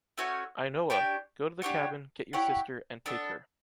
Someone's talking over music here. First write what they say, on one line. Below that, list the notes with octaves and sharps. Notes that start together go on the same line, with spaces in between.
Ainhoa, go to the cabin, get your sister, and take her.
A3 C#4 F#4 C#5
D4 G4 C#5 G5
D4 G4 C#5 F#5
E4 G4 C#5 F#5
B3 D4 A4